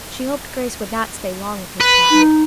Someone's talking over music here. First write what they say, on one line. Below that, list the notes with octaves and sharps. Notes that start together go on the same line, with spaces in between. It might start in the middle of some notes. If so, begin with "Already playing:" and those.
She hoped Grace would not stay long with Miss Patten.
B4
D#4